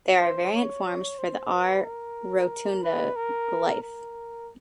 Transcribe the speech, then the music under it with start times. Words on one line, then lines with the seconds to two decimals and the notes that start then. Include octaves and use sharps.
There are variant forms for the "r rotunda" glyph.
0.20 C5
0.52 C#5
1.19 C5
1.51 B4
1.84 A#4
2.83 B4
3.16 A#4
3.82 A#4